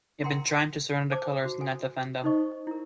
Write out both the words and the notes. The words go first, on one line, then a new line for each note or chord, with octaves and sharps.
He had been trying to surrender the colours, not defend them.
A#4 F#5 G5 A#5 C6
C5 A5 D6
F#4
A4 G#5
D#4 A4 C5 D#5 C#6
E4 A#4